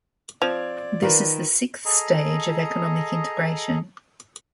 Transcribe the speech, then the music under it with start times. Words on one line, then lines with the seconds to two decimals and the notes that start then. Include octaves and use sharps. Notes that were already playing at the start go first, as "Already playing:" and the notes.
This is the sixth stage of economic integration.
0.42 F3 C4 D5 G#6 F7
1.02 D#3 F4 A#4 B4
1.85 G#4 A4 D#5 A#5